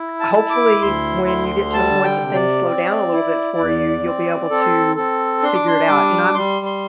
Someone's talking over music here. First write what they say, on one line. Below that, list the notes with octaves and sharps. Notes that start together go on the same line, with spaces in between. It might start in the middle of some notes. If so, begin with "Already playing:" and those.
hopefully when you get to a point that things slow down a little bit for you, you'll be able to figure it out, and I'm
Already playing: E4
A5
E4
D6
D2 C6
D3 C6
G3 A5
G5
C3
D5
C4
E4
E2
C4
C4 A4
C4 A4
D4 C6
D6
C6
G3 D6
G3 C6
C6